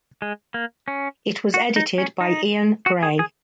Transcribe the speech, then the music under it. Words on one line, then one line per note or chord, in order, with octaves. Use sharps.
It was edited by Ian Gray.
G#3
A#3
C#4
F#4
D#4
C#4
D#4
F#4
G#4
G#4